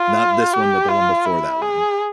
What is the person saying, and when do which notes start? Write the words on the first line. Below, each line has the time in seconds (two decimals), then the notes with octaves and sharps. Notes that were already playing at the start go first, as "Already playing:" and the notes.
not this one, but the one before that one.
Already playing: F4
0.53 G4
0.89 F4
1.25 E4
1.62 G#4